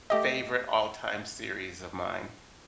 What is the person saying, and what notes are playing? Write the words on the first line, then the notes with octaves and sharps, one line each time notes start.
favorite all-time series of mine.
A3 G4 D#5